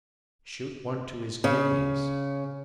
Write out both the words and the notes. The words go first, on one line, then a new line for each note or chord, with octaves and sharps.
"Shoot one to his kidneys!"...
C#3